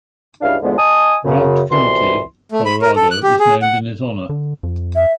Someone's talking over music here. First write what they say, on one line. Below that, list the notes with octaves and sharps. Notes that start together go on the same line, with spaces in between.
Routt County, Colorado is named in his honor.
C#2 G2 D4 E4 F5
E2 G#2 D3 F3 G#3 B3
D#5 G#5 A5 D#6
F#2 C#3
C2 F2 B2 E3 C6
A3
B5
A#4
A4
F#6
G4
G#4
F#5
D3
F2
E5